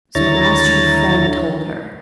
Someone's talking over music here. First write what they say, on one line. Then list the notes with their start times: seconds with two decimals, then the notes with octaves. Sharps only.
So at last her friend told her.
0.15 D#2 D3 E4 C#5 A#5 A6